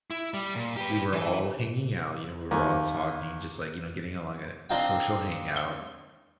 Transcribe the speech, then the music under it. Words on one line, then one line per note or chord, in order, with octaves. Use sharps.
we were all hanging out, you know, we were all talking just, like, you know, getting along at this social hangout
E4
G3
A#2
G4 B4
E3
D#2
C4 D4 D#4 F5 G5